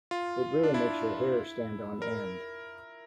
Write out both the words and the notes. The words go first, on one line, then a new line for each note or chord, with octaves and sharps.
It really makes your hair stand on end.
F4
D4
E4
A#4